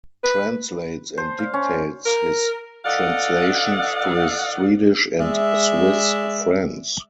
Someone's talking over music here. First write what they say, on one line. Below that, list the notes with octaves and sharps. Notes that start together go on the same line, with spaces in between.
Translates and dictates his translations to his Swedish and Swiss friends.
B4
C5
F5
C#4
A#4
E3 A4 D5 D#5 F5 F#5
G#3 D5 E5